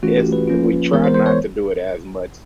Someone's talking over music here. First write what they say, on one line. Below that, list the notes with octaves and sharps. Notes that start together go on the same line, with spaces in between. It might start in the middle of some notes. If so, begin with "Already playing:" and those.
is we tried not to do it as much
E3 A3 C#4 F4 F#4
G4
B4
F3 A#3 C#4 F4
E3 G#3 B3 A#4
C5
C5
C#5